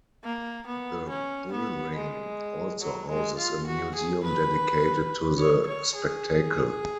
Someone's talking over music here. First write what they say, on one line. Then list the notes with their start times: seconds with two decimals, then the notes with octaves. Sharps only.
The bullring also houses a museum dedicated to the spectacle.
0.24 A#3
0.67 B3
1.09 C#4
1.52 B3
1.95 G#3
2.81 F#3
3.09 G#3
3.38 F4
3.67 F#4
3.95 G#4
4.24 B4
5.38 C#5
5.67 C#5
5.95 G#4